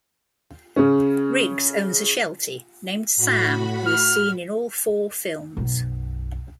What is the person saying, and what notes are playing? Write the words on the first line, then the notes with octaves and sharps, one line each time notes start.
Riggs owns a Sheltie named Sam who is seen in all four films.
C#3 C#4
A2 F#4 B5
F6
B1 F#2